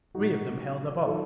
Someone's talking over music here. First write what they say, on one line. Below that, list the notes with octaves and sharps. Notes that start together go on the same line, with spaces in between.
Three of them held a box.
A#2 F#3 D#4 F#4
D#3 F#3 F4 A4